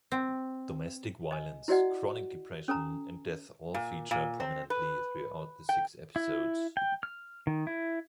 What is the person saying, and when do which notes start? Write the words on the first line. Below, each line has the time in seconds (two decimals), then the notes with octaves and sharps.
Domestic violence, chronic depression and death all feature prominently throughout the six episodes.
0.12 C4
1.31 D#5 G#5
1.68 E4 F#4 D5 D#5 F#5
2.68 C#4 A4 G#5 A#5
3.74 A#2
4.11 A#2
4.40 C4
4.70 B4
5.69 G5
6.16 E4
6.77 G5
7.03 F6
7.47 D#3
7.67 E4